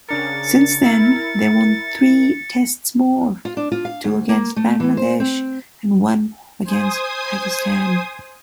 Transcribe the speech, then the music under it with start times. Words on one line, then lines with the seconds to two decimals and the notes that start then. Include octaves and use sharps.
Since then they won three Tests more, two against Bangladesh and one against Pakistan.
0.09 C#3 D4 A#4 A6 C#7
0.83 E4 A#4
3.45 F4
3.57 D4
3.72 F4
3.85 F5
4.04 D2
4.29 A#3
4.56 A3
4.80 E3
4.97 C5
5.20 C4
6.65 C5 G#5 D#6